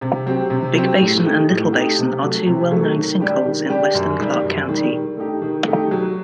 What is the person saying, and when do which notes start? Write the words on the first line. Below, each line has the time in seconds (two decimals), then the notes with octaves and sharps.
Big Basin and Little Basin are two well-known sinkholes in western Clark County.
0.01 C3
0.26 F#3 C4 G4
0.50 C3
0.75 F#3 C4 G4
0.99 A2
1.24 A3 D#4 G4
1.49 A2
1.73 A3 D#4 G4
1.98 C3
2.22 F#3 A3
2.46 C3
2.71 F#3 A3
2.96 D#3
3.21 G3 D4 G4
3.46 D#3
3.69 G3 D4 G4
3.94 F#2
4.18 D#3 G3
4.44 F#2
4.69 D#3 G3
4.92 D#3
5.17 A3 D#4 G4
5.42 D#3
5.67 A3 D#4 G4
5.91 F#3